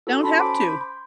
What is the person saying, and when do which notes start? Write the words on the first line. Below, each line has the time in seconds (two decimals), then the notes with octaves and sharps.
Don't have to.
0.07 E4 F#4 A4
0.23 C#4 A5 B5 C6
0.39 C5 D6 D7
0.58 C6 G6